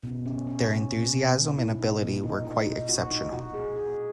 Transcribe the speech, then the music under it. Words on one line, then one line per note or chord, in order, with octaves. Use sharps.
Their enthusiasm and ability were quite exceptional.
B2
C#4
C#4
C#4
B2
B2
B2
E4
D#4
A#2
D#4
D#4
D#4
F#4
D#4
F#4
G#4
G#4